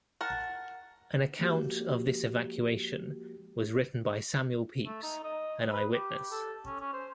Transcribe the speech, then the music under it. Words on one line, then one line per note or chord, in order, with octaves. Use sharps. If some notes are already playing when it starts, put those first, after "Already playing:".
An account of this evacuation was written by Samuel Pepys, an eyewitness.
A#4 F#5 A5
F3 G#3 A#3 F#4 G4
A3
D#4
D#5
B4
G4
A4
C#4
C#4
C5